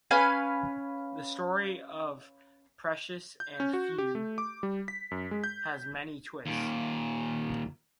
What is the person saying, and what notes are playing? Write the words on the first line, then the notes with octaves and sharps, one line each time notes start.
The story of "Precious and Few" has many twists.
C#4 B4 F5 G#5
G6
C#4
F#4
G4
A3
D6
G3
B6
F#2
G#3
G6
D#2 A#2